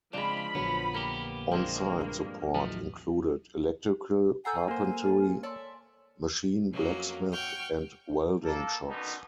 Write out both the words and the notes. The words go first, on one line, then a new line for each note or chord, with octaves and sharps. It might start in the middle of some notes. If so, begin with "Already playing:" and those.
Onsite support included electrical, carpentry, machine, blacksmith, and welding shops.
C#2 F3 G#3 C4 D4 F4 B5
A#1 D3 F#3 B3
A#3 B3 G4 A#4
F3 G#3 A#3 C4 D4
G2
A1 D#2 F3 F#3 A3 D#4
A4 F#5 G#5 A#5 E6 G6 C7
A#3 C5
A4 F6
C#5 D5 E5 A5 C6
F2 F#3 A#3 C#4
F#5 G5 C#6 F6 G6
A#3 A4
B2 D3 D#3 B3 C#4 D#4